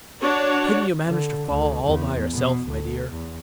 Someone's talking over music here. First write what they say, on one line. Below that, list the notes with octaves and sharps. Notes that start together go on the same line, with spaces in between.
"Couldn't you manage to fall all by yourself, my dear?"
D4 F#4 C#5
D3
D2
E2
B2
D2
E2